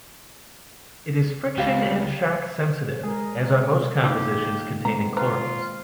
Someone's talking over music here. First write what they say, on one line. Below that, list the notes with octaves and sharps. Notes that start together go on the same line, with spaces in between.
It is friction and shock sensitive, as are most compositions containing chlorates.
C#2 G4 F5
G#3 G#4 A#4
A#2 D#3 C4 E4 G4 C5
G#3 B3 C4 A#5
F4 B4 C5 A#5